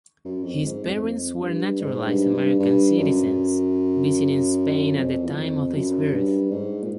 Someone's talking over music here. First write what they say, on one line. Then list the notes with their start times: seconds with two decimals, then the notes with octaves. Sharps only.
His parents were naturalized American citizens, visiting Spain at the time of his birth.
0.25 F#2
0.44 F2
0.63 G#2
0.83 F2
1.03 F2
1.41 G2
1.81 G#2
2.07 G2
2.34 G2
2.59 G2
2.98 F#2
4.95 F2
5.24 E2
5.34 F2
5.73 F#2
6.12 G2
6.51 G#2
6.83 A#2